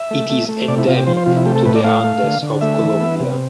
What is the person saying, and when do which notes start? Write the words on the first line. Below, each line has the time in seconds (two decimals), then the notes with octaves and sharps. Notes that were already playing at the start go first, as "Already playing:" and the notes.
It is endemic to the Andes of Colombia.
Already playing: E5
0.11 A3
0.30 A3
0.49 A3
0.68 C3 D5
0.78 E4
0.87 C3 F4
0.97 G4
1.06 F3 C5
1.17 C5
1.26 C3 F4
1.37 E4
1.45 A3 G4
1.55 A4
1.65 A2 B4
1.75 D5
1.84 A3 F5
2.04 A3
2.23 D3
2.42 D3
2.61 A3 E5
2.80 E3
3.00 B3
3.20 C3